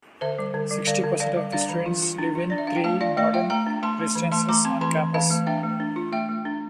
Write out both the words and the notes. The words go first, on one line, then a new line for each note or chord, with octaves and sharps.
Sixty percent of the students live in three modern residences on campus.
D3 C5 E5
G3
D3
G3
D3 D5 F5
D3
D3 D5 F5
G3
D4 D5 F5
E3
F4
F4
D4
F4
D4 D5
E5
D4 F5
G5
A3 F5 A5
F4 D5 F5
A3 D5 F5
F4 E5 G5
A3 G5 A#5
D4
A3 A5 C6
A3
E3
A3 A5 C6
A3 A#5 D6
C4 A5 C6
E3 A5 C6
E3
E3 F5 A5
A3
D4 E5 G5
A3
D4
F4
A3 E5 G5
A3
D4